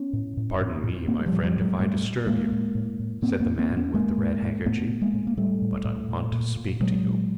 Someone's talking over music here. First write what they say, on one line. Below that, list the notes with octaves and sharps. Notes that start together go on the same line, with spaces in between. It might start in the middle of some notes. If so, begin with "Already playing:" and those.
"Pardon me, my friend, if I disturb you," said the man with the red handkerchief, "but I want to speak to you."
Already playing: B3 C#4
A2
A2
A2
A2
A2 A#3 C4
G#3
F3 G3
A2
F3 G3
A2
F#3 G#3
A2 G3 A3
A2
A2 G#3 A#3
A2
A2
A2
A2 A#3 C4
A#3 C4
A2
A#3 C4
A2
B3 C#4
A2 G#3 A#3
A2
A2
A2 A3 B3
A2
G#3 A#3
A2
A#3
A2 G3 A3
A2
A2
A#2
A#2
A#2
A#2 F#3 G#3
A#2